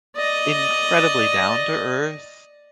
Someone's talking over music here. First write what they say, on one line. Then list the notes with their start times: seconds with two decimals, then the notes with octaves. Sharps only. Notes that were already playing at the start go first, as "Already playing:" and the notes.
incredibly down-to-earth,
0.17 D5 D#5